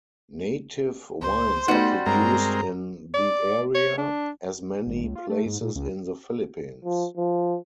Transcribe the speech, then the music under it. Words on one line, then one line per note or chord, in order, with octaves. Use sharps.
Native wines are produced in the area, as in many places in the Philippines.
C#2 C5
G3 A3 B3 D#4 F#4
G2 G#3 C4 A#4 A#5
D5
C#5
D4
G#1
C#2
F4
A3
G#2
A#2
C#2
F3
F3